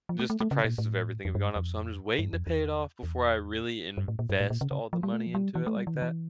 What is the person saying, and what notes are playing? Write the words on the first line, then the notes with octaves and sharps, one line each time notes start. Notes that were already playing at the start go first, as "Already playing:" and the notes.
just the prices of everything have gone up, so I'm just waiting to pay it off before I really invest all the money into it like that,
F3
A3
A3
A3
C#3
A#2
A2
F2
G2
F2
G2
F2
E2
E2
G2
A2
A#2
G2
A2
A#2
C#3
C#3
F3
G3
A3
F3
G3
E3
A3
G3
E3
D3
E3